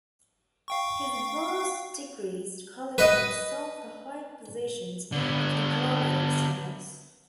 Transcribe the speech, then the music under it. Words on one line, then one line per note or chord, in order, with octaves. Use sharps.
His advanced degrees qualified Solf for higher positions in the diplomatic service.
F5 G5 C#6
B4 D#5 F#5
D3 B3